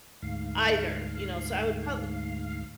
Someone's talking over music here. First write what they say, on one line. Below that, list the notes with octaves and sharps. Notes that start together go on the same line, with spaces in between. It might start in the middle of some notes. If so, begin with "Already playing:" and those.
either, you know, so I would probably
D2 G#2 F5